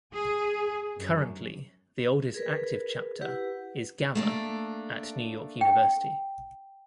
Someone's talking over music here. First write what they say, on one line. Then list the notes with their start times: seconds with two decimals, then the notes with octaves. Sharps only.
Currently, the oldest active chapter is Gamma at New York University.
0.13 G#4
0.99 F#2
2.34 G#4 A#4 B4
3.21 E4 G4 B4 F#5
4.15 A3 A#3 D4
5.61 G5